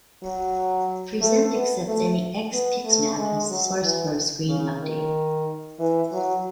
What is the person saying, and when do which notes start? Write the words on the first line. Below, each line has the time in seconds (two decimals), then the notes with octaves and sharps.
Present accepts any X pixmap as the source for a screen update.
0.23 F#3
1.21 A3
1.54 B3
1.87 A3
2.52 B3
2.85 A3
3.18 G#3
3.50 F#3
3.83 E3
4.48 C#3
4.81 D#3
5.79 E3
6.12 F#3